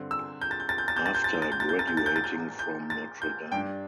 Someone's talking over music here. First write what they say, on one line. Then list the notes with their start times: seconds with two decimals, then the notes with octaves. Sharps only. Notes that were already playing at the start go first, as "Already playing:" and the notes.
After graduating from Notre Dame.
Already playing: G2 D3 C4
0.11 E6
0.42 G6
0.51 A6
0.60 G6
0.69 A6
0.78 G6
0.88 A6
0.96 G6
1.06 A6
1.15 G6
1.24 A6
1.33 G6
1.42 A6
1.52 G6
1.60 A6
1.69 G6
1.79 A6
1.88 G6
1.97 A6
2.06 G6
2.16 A6
2.24 G6
2.59 G6
2.90 A6
3.22 G6
3.52 G2 G3 D4 G5